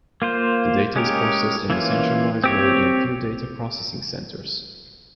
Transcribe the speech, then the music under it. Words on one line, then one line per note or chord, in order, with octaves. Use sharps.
The data is processed in the centralized way in a few data processing centres.
A#3 F4 C5
G#3 C#4 G4 A#4
E3 A#3 C#4 F4
C4 G4 C#5